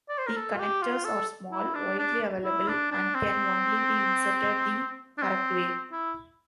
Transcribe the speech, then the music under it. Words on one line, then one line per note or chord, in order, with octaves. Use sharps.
The connectors are small, widely available, and can only be inserted the "correct way".
D5
C5
A#4
A4
F4
G4
F4
A4
E4
D4
D4
E4
D4
D4
C4
D4
C4
E4